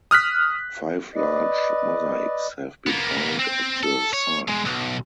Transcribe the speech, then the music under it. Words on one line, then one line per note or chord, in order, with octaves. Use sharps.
Five large mosaics have been found at the site.
D#6 F6 F#6 B6
B4 D5 D#5
A#3 B3
C4
A4
C#5
B2 G#3
B1